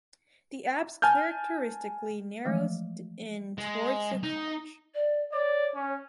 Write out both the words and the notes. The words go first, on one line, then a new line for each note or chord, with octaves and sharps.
The apse characteristically narrows in towards the conch.
G#5 A5 F6 G6
E3 F3 G#3 A3
G#3
D#4
D5
C#5 D5
C#4